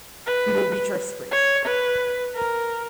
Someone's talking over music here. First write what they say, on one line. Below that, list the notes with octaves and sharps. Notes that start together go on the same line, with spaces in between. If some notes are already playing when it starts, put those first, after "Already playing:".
We will reach our spring.
B4
C#5
B4
A#4